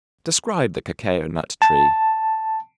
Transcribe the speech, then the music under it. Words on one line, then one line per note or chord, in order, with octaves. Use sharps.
Describe the Cacao-nut Tree.
A5